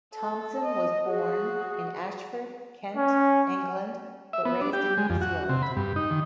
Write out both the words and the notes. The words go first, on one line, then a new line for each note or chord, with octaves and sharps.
Thompson was born in Ashford, Kent, England, but raised in New Zealand.
A4
D#5
F#4 G#4
C#4
E5
B3
D4
G4
G#3
F2
F#4
C3
B5
G2
D#4
D#3